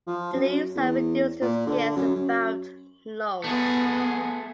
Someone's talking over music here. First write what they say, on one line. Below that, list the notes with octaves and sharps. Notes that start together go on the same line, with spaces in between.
The leaves are reduced to scales about long.
F3
F#2
E2
A#2
D3
F#2
F#2
A3 B3 G#4